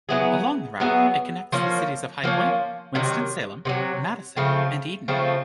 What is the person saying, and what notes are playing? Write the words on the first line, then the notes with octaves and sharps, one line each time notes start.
Along the route, it connects the cities of High Point, Winston-Salem, Madison, and Eden.
F#3 B3 E4 G#4
F#3 B3 E4 G#4
F3 A#3 C#4
F3 A#3 C#4
C3 D#3 F#3
C3 D#3 F#3
C#3 F3 A3 C4
C#3 F3 A3 C4